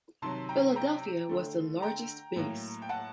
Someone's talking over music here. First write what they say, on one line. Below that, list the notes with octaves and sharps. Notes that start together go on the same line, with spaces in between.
Philadelphia was the largest base.
C3 D#3 F#3 A5 C6
G5 A#5
G5 A#5
D3 A3
G5 A#5
A2 F#3 A#3
G5
F#5 A5